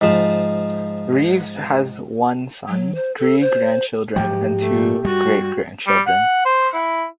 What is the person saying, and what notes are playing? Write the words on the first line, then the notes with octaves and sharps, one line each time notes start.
Reeves has one son, three grandchildren and two great-grandchildren.
G#2 F3
F#3
C5
A4
C5
G#2 F3 F#3 G4
A3
G2 G3 F#4
G3
F#5
C5
E4